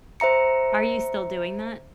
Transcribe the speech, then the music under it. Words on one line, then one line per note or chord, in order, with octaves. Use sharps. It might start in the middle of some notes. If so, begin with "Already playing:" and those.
Are you still doing that?
C5 E5 A#5 C#7